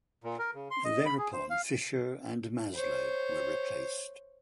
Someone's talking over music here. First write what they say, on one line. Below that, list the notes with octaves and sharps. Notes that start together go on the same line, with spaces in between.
Thereupon Fischer and Maslow were replaced.
A#2
A#4
C#3
C6
D#5
B5
G#4
C5
F5
C5 C#5